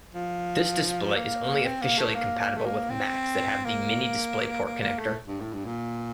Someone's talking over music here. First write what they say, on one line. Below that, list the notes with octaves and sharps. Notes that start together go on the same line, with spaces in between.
This display is only officially compatible with Macs that have the Mini DisplayPort connector.
F3
A#3
C4
A#3
A3
A#3
A#3
A3
A#3
C4
A#3
A#3
A#3
A3
G2
A2
G2
A#2